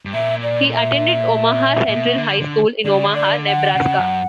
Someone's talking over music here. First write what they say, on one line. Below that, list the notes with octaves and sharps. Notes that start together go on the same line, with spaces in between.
He attended Omaha Central High School in Omaha, Nebraska.
G2
A#2 E5
D5
E5
A#2
B2
D3
D3
D3 D5
C#3
D3
D5
F#5
C#3
F#2